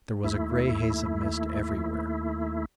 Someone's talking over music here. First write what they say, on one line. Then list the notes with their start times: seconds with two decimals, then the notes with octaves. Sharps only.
There was a gray haze of mist everywhere.
0.24 D#2 A3 E4